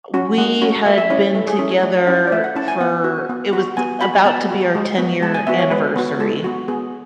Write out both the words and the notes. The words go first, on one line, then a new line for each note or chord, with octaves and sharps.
we had been together for it was about to be our ten-year anniversary.
C#4 F#4
G#3 F#5
C#4 F#4
A3 E5
E5
C#4 E4 C#5
A3 A4
G#4
C#4 E4 A4
C#5
A3 D5
C#4 E4 F#5
D5
A3 E5
F#5
C#4 E4 A5
G#5
B3 F#5
F#4
B3
F#4
B3 G#5
F#4 B5
G#5
B3 A5
F#4
G#3
B3 F#4
G#3 A5
G#5
B3 F#4 E5
C#5
G#3 B4
B3 F#4
G#3 A4
B3 F#4
B3 G#4